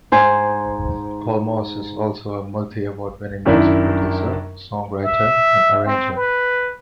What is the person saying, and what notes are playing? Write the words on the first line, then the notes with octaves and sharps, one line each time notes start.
Paul Moss is also a multi-award-winning music producer, songwriter and arranger.
G#2 C5 G#5
F#2 D#3 D4 E4
E5
C4
B4